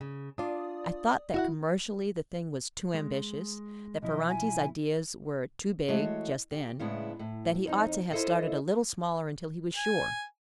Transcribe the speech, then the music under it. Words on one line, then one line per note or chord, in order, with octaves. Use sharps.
I thought that commercially the thing was too ambitious, that Ferranti's ideas were too big, just then; that he ought to have started a little smaller until he was sure.
C#3
D4 F4 D5 D#6
E4 F#4 E5 F#5
G#3
B1 F3 E4 D#5
G#5
E3 G#3 A3 F#4 C#5
G4
A2 C#3 G#3 B3 D4 E4
A2
F2 D#4
E4 F4 A4 C5 D#5 E5
G#5